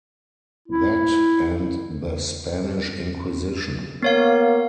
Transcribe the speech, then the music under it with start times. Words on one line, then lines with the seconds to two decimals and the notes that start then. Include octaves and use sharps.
That and the Spanish Inquisition.
0.68 E4
4.02 A#3 B3 C#5 F5